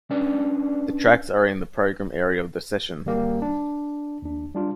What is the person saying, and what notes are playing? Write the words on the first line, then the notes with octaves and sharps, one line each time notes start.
The tracks are in the program area of the session.
C#4 D4 B4 D5
G#1 G3 A#3 G4
D4
D#2 D4
G3 D4 F4